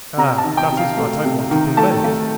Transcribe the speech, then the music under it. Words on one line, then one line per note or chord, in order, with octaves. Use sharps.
"Ah! dat is vat I vant to prevent."
C3 A#5
A5
D#3
G5
C3
F5
A3
C3
D#3
A3 A5
A3